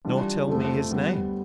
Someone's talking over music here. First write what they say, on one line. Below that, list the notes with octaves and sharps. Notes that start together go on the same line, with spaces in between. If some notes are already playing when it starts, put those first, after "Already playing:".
"Nor tell me his name."
E3 G3 D4 F4
F2 D3 F3 A3
D3 G3 B3